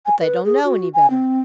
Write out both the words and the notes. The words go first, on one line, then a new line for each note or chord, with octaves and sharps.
'But they don't know any better.
G#5
B4
G#4
F#4
G#5
C4